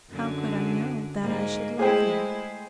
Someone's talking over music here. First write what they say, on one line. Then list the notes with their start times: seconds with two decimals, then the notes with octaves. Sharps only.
How could I know that I should love you?...
0.10 F#2 D3
1.21 G#2 A#3
1.79 G#3 A3 E4 G#4 C5 G5